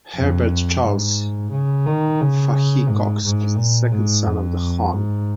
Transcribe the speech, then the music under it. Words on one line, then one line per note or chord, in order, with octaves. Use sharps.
Herbert Charles Fahie Cox was the second son of the Hon.
F2
G#2
C#3
D#3
C#3
G#2
G#2
A#2
G#2
F2
G#2